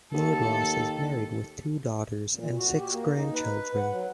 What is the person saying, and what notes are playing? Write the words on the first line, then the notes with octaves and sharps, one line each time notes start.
Lord Ross is married with two daughters and six grandchildren.
D#2 A4
A#2
F#4
G4
A#3
D#4
B4
F#5
F#3